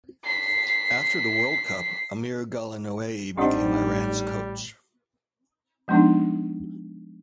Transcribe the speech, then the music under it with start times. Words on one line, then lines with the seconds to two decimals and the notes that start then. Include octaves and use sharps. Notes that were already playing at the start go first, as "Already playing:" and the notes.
After the World Cup, Amir Ghalenoei became Iran's coach.
0.24 B6 C7
3.37 A1 G3 C4 D4 D#4 G4 F#5 D#6
5.88 F3 G#3 B3 D4 D#4